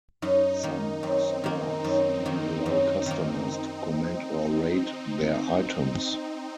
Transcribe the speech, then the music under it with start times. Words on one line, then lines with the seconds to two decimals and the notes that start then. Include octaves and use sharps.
Some stores even allow customers to comment or rate their items.
0.22 F#2 D#4
0.63 D#3 A#3
1.03 F#2 C4
1.44 D#3 A#3
1.84 F#2
2.26 D#3 A#3
2.66 F#2
3.06 D#3 A#3